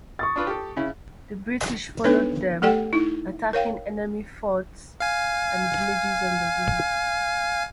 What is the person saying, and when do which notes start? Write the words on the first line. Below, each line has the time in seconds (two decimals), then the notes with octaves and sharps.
The British followed them, attacking enemy forts and villages on the way.
0.19 C#6 D#6 A6
0.36 D4 F4 B4
0.47 G4 A4
0.77 C#3 E4
2.04 B3 D4 D#4 A4 B4 C#5
2.62 A3 G4 A4 D5 F#5 G5
2.93 D#4 E4
3.53 A#4 C#5 F5 G5
5.00 F5 G#5